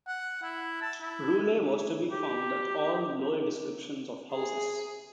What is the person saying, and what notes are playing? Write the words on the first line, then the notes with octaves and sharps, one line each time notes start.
Roulette was to be found at all the lower descriptions of houses.
F#5
E4
A5
E4
G4
G#4